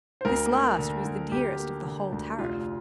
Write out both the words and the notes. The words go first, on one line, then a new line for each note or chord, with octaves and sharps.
This last was the dearest of the whole tariff.
C5
D2 A#4
A#3
D3
D2
D2 G4
A#3
D3
D2
F1 F4